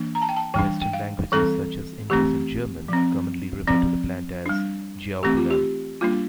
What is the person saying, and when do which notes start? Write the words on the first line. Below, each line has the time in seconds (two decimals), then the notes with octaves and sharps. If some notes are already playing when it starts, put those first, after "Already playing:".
Western languages such as English and German commonly refer to the plant as jiaogulan.
Already playing: E3 A#3 D4
0.15 A#5
0.22 A5
0.29 G5
0.36 A5
0.54 E3 G3 D4 G5
0.82 G5
0.93 F5
1.32 E3 G3 C4 A4
2.10 E3 A3 C4 G4
2.88 F3 C4
3.67 F3 C4
4.46 G3 D4
5.23 E3 A3 C4 G4
5.37 F4
5.51 G4
6.01 G3 A#3 D4 F4